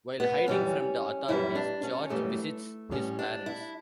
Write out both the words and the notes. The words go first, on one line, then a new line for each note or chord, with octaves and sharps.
While hiding from the authorities, George visits his parents.
B3
F#2 E3 G3 C#4
F#2 E3 G3 E4
D4
C#4
F#2 E3 G3 A3
A2 G3 C#4
D4
E4